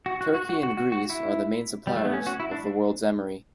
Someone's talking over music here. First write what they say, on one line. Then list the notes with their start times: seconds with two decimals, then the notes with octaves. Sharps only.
Turkey and Greece are the main suppliers of the world's emery.
0.06 F#4
0.21 F#4
0.34 F#4
0.49 F#4
0.63 F#4
0.77 F#4
0.92 F#4
1.10 E4
1.87 G3
1.97 A3
2.05 B3
2.13 C#4
2.27 F#4
2.40 E4
2.51 D4